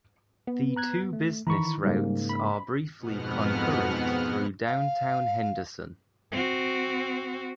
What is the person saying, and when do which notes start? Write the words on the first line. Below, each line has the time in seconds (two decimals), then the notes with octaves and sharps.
The two business routes are briefly concurrent through downtown Henderson.
0.47 B3
0.76 A#5 F#6 G#6
1.13 A3
1.47 D#3 E3 A#5 B5 C#6
1.84 G#2 C#3 G3 A#3
2.29 B5
2.98 F2 G#2 B2 B3 F#5 F6
4.66 F5
6.32 C4 F#4